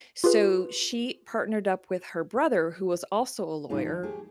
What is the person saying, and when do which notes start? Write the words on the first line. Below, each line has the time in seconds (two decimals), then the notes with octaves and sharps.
So she partnered up with her brother, who was also a lawyer,
0.24 F4 G4 G#4 B4
3.70 A2 G3 D4 D#4 F4
3.85 D#3 F3
4.03 A3 G4 G#4